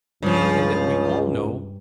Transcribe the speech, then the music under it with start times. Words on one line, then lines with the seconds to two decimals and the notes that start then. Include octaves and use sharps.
And that we all know.
0.22 C#2 G2 C#3 F3